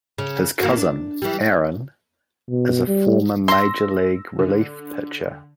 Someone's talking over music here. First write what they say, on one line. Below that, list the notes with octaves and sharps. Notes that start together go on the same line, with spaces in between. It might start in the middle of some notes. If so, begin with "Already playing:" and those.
His cousin, Aaron, is a former major league relief pitcher.
C#3
E3 A#3 F#4
D4
E3 G3
B2
G3
C6 E6 A#6
D3